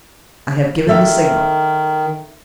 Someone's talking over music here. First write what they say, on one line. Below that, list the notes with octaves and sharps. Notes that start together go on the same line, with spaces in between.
"I have given the signal."
D#3 A4 E5 F5